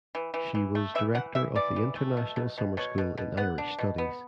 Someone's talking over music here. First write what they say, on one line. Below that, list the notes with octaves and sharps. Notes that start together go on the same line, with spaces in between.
She was director of the International Summer School in Irish Studies.
E3
E3
E3
A3
E3 E5
E3 F#5
E3 E5
E3 D5
E3
A3
B2
B2
B2
B2 C#5
B2
B2
B3 F#5
D4
B2
B3